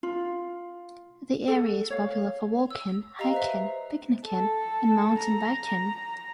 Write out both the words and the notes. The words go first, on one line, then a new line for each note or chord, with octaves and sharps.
The area is popular for walking, hiking, picnicking, and mountain biking.
F4
A4 F#5
C#5 F5
E6
G4 D#5 F5 A#5
B4 C5 E5
A4
A#5